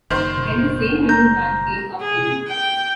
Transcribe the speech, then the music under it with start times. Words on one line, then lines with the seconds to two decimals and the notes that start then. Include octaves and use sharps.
Then the same little man came up the room.
0.10 F#1 F#2 A#2 D#3 C5
1.09 A#5 G6
2.01 G#4
2.48 G5